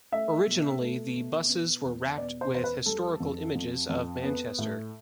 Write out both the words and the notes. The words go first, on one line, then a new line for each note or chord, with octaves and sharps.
Originally, the buses were wrapped with historical images of Manchester.
A3 E5
B2
A3
B2
B3
E2
B2 D5
C5
E2 C5
B4
G3 A4
F2
F2
F2
B3
A2